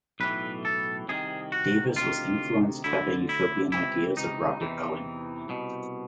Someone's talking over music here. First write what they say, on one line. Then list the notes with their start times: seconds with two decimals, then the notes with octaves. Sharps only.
Davis was influenced by the utopian ideas of Robert Owen.
0.20 B1 A2 E3 B4
0.65 A4
1.08 C2 C3 D#3 G#4
1.52 F#4
1.96 D2 C3 D#3 F4
2.84 D2 D3 E4
3.29 E4
3.72 C#2 C3 E3 E4
4.17 D#4
4.61 E2 C3 E3
5.49 C2 B2